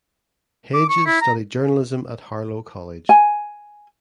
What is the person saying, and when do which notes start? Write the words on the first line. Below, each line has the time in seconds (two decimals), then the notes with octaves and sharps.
Hedges studied journalism at Harlow College.
0.74 D6
0.89 C#6
1.06 E4
1.21 A#5
3.09 G#5